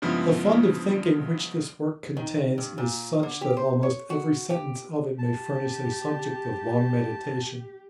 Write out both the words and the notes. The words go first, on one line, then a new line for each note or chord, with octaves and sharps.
The fund of thinking which this work contains is such, that almost every sentence of it may furnish a subject of long meditation.
G2 C#3 F3 G#3 B3 E4
D#3
G2
A#2
D3
G4
C5
C#5
F#4
G4
G4 A5